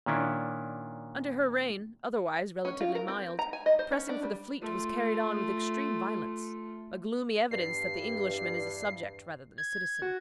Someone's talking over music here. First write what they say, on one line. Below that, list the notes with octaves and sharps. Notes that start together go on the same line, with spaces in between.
Under her reign, otherwise relatively mild, pressing for the fleet was carried on with extreme violence--a gloomy evidence that the Englishman is a subject rather than a citizen.
A#2 D#3 C#4 D4 E4
C#4
F4
A#4
C4
A#5
G#5
D#5
C5
C#4
D4
G3
A3 F4
E2 G2 C7
G#6
F#4